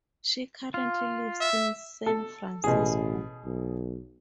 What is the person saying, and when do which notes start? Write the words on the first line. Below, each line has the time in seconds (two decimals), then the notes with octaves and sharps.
She currently lives in San Francisco.
0.74 F4
1.41 E5
2.06 A4
2.64 A1 B2 G#4
3.45 B1